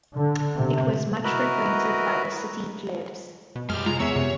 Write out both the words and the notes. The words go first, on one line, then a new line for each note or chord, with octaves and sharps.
It was much frequented by the city "plebs".
D3
C3
E4 F#4 A#4 B4 D#5 A#5
B2
F#2 G#3 G4 F6
C3 G#3 F4 A#5
E2 B3 G#4 C#5 E5 E6
F#2 C3